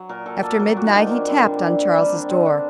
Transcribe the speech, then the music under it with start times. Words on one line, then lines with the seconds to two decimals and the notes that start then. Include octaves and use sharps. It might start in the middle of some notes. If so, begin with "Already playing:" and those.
After midnight he tapped on Charles's door.
Already playing: F#3
0.09 A#2 A#4
0.26 A#2 A4
0.43 A#3 A4
0.59 F#3 A#4
0.68 G4
0.77 A#2 F#4
0.86 D#4
0.93 A#2 D4
1.05 C4
1.11 A#3
1.17 D4
1.28 G3 C4
1.45 D3
1.61 D3
1.78 A#3
1.95 G3 D4
2.05 C4
2.13 D3 D4
2.29 D3 C4
2.46 A#3 D4